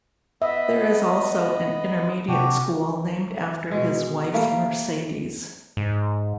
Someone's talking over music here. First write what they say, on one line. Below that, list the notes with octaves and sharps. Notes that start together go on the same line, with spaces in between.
There is also an intermediate school named after his wife Mercedes.
B3 D#5 E5
C3 D4 F#4 G4
B2 G#3
G3 A3 A#3
G#2